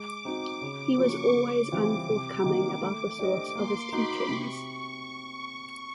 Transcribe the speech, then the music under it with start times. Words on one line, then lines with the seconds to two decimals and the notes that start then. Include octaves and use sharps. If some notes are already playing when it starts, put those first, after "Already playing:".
He was always unforthcoming about the source of his teachings.
Already playing: G#3 D6
0.25 C4 D#4 F#4
0.61 C#3 D6
0.98 F3 A#3 C#4 F#4 C#6
1.35 C#3 D6
1.72 E3 G3 C4 F4 D6
2.08 C3 D6
2.45 D#3 F#3 A#3 D#4
2.81 A3
3.19 D4 G4 C5 D#5
3.55 A#3 C6
3.92 D#4 F#4 B5
4.28 C3 C#6